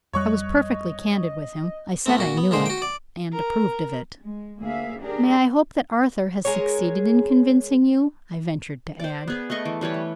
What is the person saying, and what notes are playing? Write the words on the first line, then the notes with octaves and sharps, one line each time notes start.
I was perfectly candid with him--I said I knew it, and approved of it. "May I hope that Arthur has succeeded in convincing you?" I ventured to add.
F2 G3 C#5 D#5 C#6 F#6
F3 A3 C4
A#2 F#4
B3
A#2 D3 G#3 C5 C6
F#4 G5
D5
A#4
G#3
D2 A#3 G#4 E5 F5
D4 G4 G#4 A#4
G#3 G#4 A#4 C#5
C5 D5
B3 G#4
A3 G#4 D#5 C#6
E3
E3 G3 B4 C#5
A3